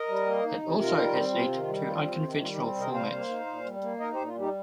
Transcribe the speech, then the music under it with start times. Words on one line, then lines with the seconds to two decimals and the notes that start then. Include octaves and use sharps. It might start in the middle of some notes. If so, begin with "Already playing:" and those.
It also has led to unconventional formats.
Already playing: A#4 D#5
0.08 G3
0.26 A#3
0.44 D#4
0.62 C3
0.80 D#3 F4 A#4
0.98 G3
1.15 C4
1.33 C3 F4
1.51 D#3
1.68 G3
1.87 C4 F4
2.04 C3
2.22 D#3
2.40 G3 F4
2.53 D#4 G4
2.58 C4
2.75 C3 A#4 D#5
2.93 G3 C5 F5
3.12 A#3
3.29 D#4
3.46 A#2
3.64 G3
3.82 A#3
4.00 D#4 A#4 D#5
4.13 A#2 G4 C5
4.27 F4
4.35 G3 D#4 G4